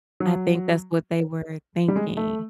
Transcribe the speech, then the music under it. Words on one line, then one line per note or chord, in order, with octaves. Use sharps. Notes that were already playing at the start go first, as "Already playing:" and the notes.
I think that's what they were thinking.
F#3
G3
G#3
A3